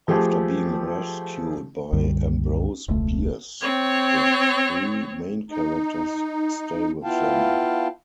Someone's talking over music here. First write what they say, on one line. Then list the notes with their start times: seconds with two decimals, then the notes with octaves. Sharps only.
After being rescued by Ambrose Bierce the three main characters stay with them.
0.08 F3 A3 G4 G#4
1.93 C2 F#2 D3 G3
2.88 E1 C#2 A3
3.61 C4 C#5
5.51 D#4
7.02 B3 E4 F4 F5 G5 A5